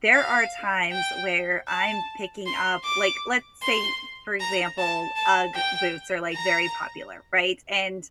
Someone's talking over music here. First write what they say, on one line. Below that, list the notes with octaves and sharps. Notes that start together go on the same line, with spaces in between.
there are times where I'm picking up, like, let's say, for example, UGG boots are like very popular, right? And
F5
G5
A5
C6
D6
C6
A#5
A5
A5
G5
A#5